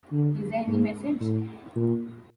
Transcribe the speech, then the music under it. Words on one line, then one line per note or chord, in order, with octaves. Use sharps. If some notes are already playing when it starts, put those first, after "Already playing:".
Is there any message?
D3
G#2
A2
A#2